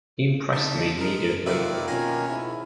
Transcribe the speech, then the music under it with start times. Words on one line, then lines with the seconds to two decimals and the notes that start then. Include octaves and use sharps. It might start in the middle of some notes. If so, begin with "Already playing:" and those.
He impressed me immediately.
0.53 D#4 A5 B6
0.98 G#3 A#4
1.46 C3 D#3 A#3 F4 B4 D5 E5 C6
1.88 B2 C#4 F4 A#4 G#5 C6
2.27 C#2 G#2 E4